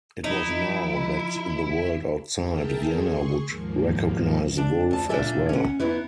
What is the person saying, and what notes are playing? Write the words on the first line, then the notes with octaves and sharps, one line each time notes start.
It was now that the world outside Vienna would recognize Wolf as well.
F3 D#4 E4
G#4 A#4 E5 G5 A5 A#5
G#4 C6 C#6
D#2 G#2 F3 A#3
D4
D2 A5
A#2 D4 F4 A4 E5 G#5
C#4 F#5
B3 D#4 E4 B4